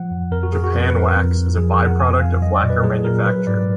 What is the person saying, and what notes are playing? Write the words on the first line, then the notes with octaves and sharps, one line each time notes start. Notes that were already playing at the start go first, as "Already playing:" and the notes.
Japan wax is a byproduct of lacquer manufacture.
Already playing: F3 F#5
F2
F2 A#4
F#4
F2 G#4
F#4
F2
B4
F2 A#4
F2
F2
F3 G#4
A#4
F2
F#5
F2 G#5
F2 F5
F#3 D#5
D5
A#2
B4
F#3 G#4
A#2 A#4
F#3 B4
G#2 D5